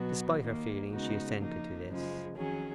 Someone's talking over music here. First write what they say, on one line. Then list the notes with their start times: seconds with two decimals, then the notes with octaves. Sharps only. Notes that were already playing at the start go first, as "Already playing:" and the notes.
Despite her feeling she assented to this.
Already playing: B2 F#3 B3 F#4
0.41 D#2 D#3 A#3
0.90 C#3 G#3 B3 D#4 F#4
1.38 F3 A#3 D#4
1.87 F#2 C#3 F3 G#3
2.35 F2 D#3 F#3 C#4 G#4